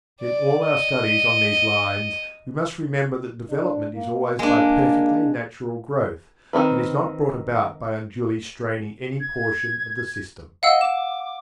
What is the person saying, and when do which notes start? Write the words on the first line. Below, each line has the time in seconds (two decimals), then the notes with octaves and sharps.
In all our studies on these lines we must remember that development is always by perfectly natural growth and is not brought about by unduly straining any portion of the system.
0.20 D5
0.65 D#5
3.50 D4
3.94 A#3
4.39 G#3 A#3 D4
6.53 D#3 A3 C4 B4
9.20 G#6
10.63 D#5 F5 F#5 E6
10.81 D6 E7